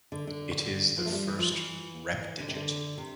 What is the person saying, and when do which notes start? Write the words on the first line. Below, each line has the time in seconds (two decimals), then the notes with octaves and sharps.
It is the first repdigit.
0.12 D3
0.27 D3
0.98 F3
1.06 A3
1.12 G3
1.27 E3
1.39 F3
1.51 E3
2.41 D3
2.48 C3
2.55 D3
2.97 C3